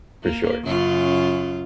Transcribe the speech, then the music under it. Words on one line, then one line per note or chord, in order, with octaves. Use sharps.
For sure.
A#3
F#2 C#3 F4